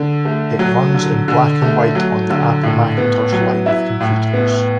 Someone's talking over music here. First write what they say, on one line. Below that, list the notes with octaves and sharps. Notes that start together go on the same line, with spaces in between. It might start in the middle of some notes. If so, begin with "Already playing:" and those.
It runs in black-and-white on the Apple Macintosh line of computers.
Already playing: D3
A3
F#3
D3
D3
A3
F#3
D3
A2
B3
F#3
E4
A2
B3